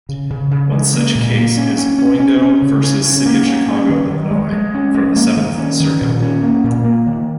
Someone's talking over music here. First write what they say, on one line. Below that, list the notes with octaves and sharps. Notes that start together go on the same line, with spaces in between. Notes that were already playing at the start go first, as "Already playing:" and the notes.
One such case is "Biondo versus City of Chicago, Illinois", from the Seventh Circuit.
C#3
C#3
C#3
G#3
A#3
A#2
A#3
C#4
C#4
C#4
C#4
C#4
C#3
C#4
C#4
A#3
C#4
C#4
D#3
D#3
G#3
G#3
C#4
G#3
A#3
D#3
C#4
D#3
A#2
C#4
A#3
A#2
A#3
D#3